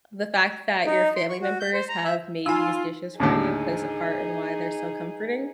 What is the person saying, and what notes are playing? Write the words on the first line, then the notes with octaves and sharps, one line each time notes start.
the fact that your family members have made these dishes for you plays a part in why they're so comforting?
D#4
C6
C#6
F#4
G6
C5
A#5
E5
D#4 F4 G#5 B5 E6
D#2 A2 D3 D#4 G#4